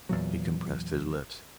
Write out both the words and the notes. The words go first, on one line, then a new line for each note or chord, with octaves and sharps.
He compressed his lips.
E2 A#2 F#3